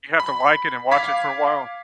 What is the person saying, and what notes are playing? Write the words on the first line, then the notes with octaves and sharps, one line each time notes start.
You have to like it and watch it for a while?
B5
F5 D6 G#6 B6